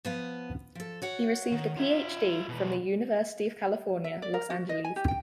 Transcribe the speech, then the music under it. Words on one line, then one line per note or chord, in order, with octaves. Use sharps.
He received a Ph.D. from the University of California, Los Angeles.
F3 B3 F5
F3 A4
F#4 C#5 F#5
D#3
F4 E5
B2 E3
E5
D5
A#4
F#4
D#5
G#5
G4
G5